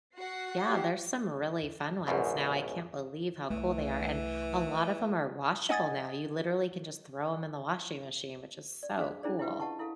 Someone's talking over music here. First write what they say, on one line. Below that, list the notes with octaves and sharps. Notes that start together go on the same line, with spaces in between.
Yeah, there's some really fun ones now, I can't believe how cool they are, and a lot of 'em are washable now; you literally can just throw 'em in the washing machine, which is so cool.
F#4 F#5 C7
G4
A#1 E2 G#2 B2
C2 E3 A3
D#5 F#5 G#5 D#6 G#6 A6
D5
D4 G#4 C5 F5
C#4 D4 E4 G#4 C5 D5
E4 F4 G4 B4 F5
D#5 F#5 A5 C#6
E4 A4 F5